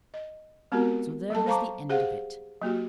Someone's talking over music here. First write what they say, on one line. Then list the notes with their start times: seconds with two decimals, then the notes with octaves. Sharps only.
So there was the end of it.'
0.14 D#5
0.72 G#3 B3 C4 F#4 G4 A#4
1.30 F#3 G3 A4 A5
1.46 C5 F5 A5 A#5 C#6 D6
1.89 G4 G#4 C5 F5 F#5
2.62 F#3 A#3 F#4 G4